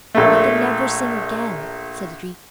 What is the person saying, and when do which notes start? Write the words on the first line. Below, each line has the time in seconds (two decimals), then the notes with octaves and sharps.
"I can never sing again," said the dream.
0.15 A#1 A3